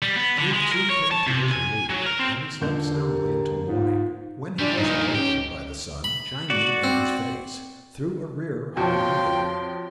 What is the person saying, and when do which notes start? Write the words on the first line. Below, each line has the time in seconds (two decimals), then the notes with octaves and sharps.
Sleep soon came to his relief, and he slept soundly until morning, when he was awakened by the sun shining in his face, through a rear hall window.
0.02 G3
0.16 B3
0.37 D3
0.53 G#3
0.72 A#4
0.90 C#5
1.11 A5
1.27 C3
1.52 G#5
1.90 F#3
2.06 A#4
2.20 C4
2.61 E1 A#2 D3 G6
2.94 G4 A#4
3.68 G#2 F4
4.59 G3 G#3 D4
4.78 G2 A#2 D#4
5.15 C#4 G4
6.04 B5
6.50 F#4 D5
6.84 C4
8.77 F2 F3 F#4 C#5 F5 G5 C6